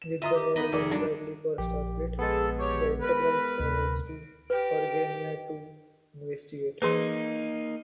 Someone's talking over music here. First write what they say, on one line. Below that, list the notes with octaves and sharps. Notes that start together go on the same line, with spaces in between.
With the war going badly for Starfleet, the "Enterprise" travels to Organia to investigate.
E7
F4 D#5 E5 A#5 D#6
G4
B3 D#4 D#5 B5
F1 D#3 G#4 A4 D5
G2 F#3 D4
A#1 F3 G4
G#3 B3 G#4 A4
G4 C#5
A#4 B4
D2 C3
G4 B4
E3 A#3 D#4 G#4 B4